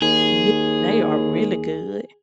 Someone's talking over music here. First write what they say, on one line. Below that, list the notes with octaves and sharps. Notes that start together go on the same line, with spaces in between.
Yeah, they are really good.
D#2 G#4